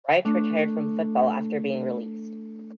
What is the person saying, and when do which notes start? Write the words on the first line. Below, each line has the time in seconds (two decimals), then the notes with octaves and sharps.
Wright retired from football after being released.
0.25 A3 D4